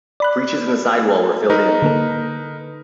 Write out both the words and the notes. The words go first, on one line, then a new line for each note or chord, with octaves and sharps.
Breaches in the side wall were filled in.
D5 B5 F#6
D#4 A#4 B4
D3 A#3 A4